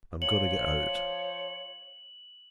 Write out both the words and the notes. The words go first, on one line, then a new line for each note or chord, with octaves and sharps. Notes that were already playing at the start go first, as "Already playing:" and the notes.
"I am going to get out."
F3 C#5 F#7